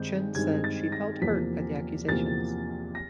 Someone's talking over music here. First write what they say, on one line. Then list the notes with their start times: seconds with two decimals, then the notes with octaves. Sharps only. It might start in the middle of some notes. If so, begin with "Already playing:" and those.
Chen said she felt "hurt" by the accusations.
Already playing: G2 D#3 G#3 C4 D#4 G6
0.35 G2 D#3 G#3 C4 D#4 G#6
0.64 A6
0.92 A#6
1.21 E2 C3 F3 A#3 B6
2.08 E2 C3 F3 A#3 A6
2.95 A#6